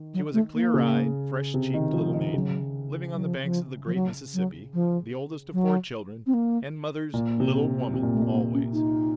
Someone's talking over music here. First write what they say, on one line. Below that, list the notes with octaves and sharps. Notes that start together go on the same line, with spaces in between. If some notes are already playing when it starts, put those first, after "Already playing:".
She was a clear-eyed, fresh-cheeked little maiden, living on the banks of the great Mississippi, the oldest of four children, and mother's "little woman" always.
Already playing: D#3
F#3
A3
A#3
C#3
C3
D#3
F3
D#3
C#3 F#3
F#3
F3
F3
F3
F#3
F#3
F3
F#3
C4
A#3
A#2 A#3
C3
C3
A#2
A3
A#2
A#3
C#4
D#4